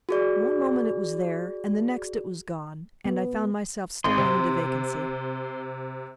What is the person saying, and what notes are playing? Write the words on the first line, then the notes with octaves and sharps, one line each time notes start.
One moment it was there and the next it was gone, and I found myself staring into vacancy.
F#4 G#4 D5
B3
G#1 C6
C3